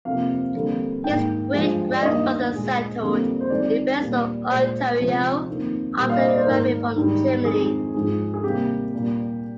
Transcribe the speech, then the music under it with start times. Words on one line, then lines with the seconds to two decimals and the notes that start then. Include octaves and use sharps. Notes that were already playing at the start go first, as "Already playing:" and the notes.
His great-grandfather settled in Breslau, Ontario after arriving from Germany.
0.05 F2 C3 F3 A#3 F5
0.54 F2 D3 G3 A#3
1.04 G#2 D#3 A#3 G5
1.53 G2 F3 G#3
1.92 D5
2.02 G2 D#3 A#3 D#5
2.52 A#2 G#3
3.01 F2 D3 G3 A#3
3.41 C5
3.50 F2 D#3 G#3 D5
4.00 A#2 G3 A#3
4.49 A#2 G#3 C5
4.99 C3 F3 G#3
5.48 F2 D#3 A#3
5.97 A#2 G3 A#3
6.09 F5
6.18 D#5
6.28 D5
6.37 C5
6.46 G#2 D#3 A#3 A#4
6.96 G#2 D#3 G3
7.45 F2 D#3 G#3 G#4
7.94 G#2 F3 G#3
8.34 G#4
8.44 C3 G3 A#3 G4
8.93 A#2 G3 A#3